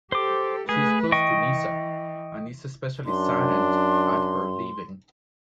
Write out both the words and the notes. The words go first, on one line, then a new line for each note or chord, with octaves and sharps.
She is close to Nyssa, and is especially saddened at her leaving.
G4 A4 C5 D6
A3 G#4 B4
E3 D#5 G5 C#6
F#2 D4 C6